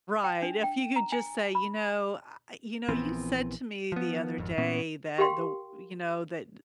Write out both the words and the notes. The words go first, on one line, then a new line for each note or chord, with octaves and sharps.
Right, if you could just say, you know, I you know, you said to me the other day that the w you know, that
G5
D4
G5
A#5
G#5
B5
A#1 E3 B3 C4
F3 B3
G#1 F2
A#2 B3 C#4
G4 A#4 F5 G5 C6